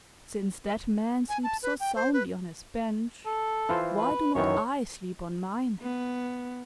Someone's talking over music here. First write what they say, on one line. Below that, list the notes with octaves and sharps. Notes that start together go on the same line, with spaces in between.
Since that man sleeps so soundly on his bench why do not I sleep on mine?
G#5
A5
B4
G5
C5
B4
A4
E3 F4 C5
B4
F#2 D#3 E3 C#5
B3